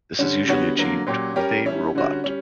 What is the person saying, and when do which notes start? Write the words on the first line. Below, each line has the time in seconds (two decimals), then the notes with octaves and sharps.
This is usually achieved with a robot.
0.19 D3 G3 C#4
0.47 D3 G3 B3 F#4 C#5
0.77 D3 F#3 A#3
1.07 A#2 F#3 C#4 G4
1.36 G3 C#4 G4 A#4
1.65 G3 C#4 E4
1.95 D3 G3 C#4 F#4
2.24 G3 C#4